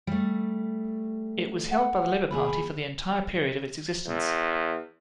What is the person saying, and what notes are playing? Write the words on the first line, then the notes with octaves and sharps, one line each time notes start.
It was held by the Labour Party for the entire period of its existence.
G3 A3
F#5
D#2 G4 G#4 B5
E2